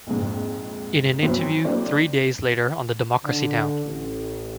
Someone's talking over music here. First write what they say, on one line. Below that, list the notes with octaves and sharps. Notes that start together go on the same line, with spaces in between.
In an interview three days later on the Democracy Now!
A#1 F2 G#2
E3 F#3 B3 C4
F#3 A3 A#3 C4 D4 E4
D3
A1